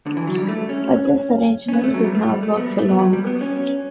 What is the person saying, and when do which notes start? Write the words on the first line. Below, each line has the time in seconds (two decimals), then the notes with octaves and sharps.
But this arrangement did not work for long.
0.06 D3
0.17 E3
0.27 F#3
0.38 G3
0.48 A3
0.69 C#4
1.69 C#4
1.73 B3
1.84 A3
1.94 F#3
2.05 G3
2.15 A3
2.29 G3
2.43 A3
2.57 B3
2.67 G3
2.78 A3
2.89 B3
2.99 F#3
3.13 G3
3.27 B3
3.41 C#4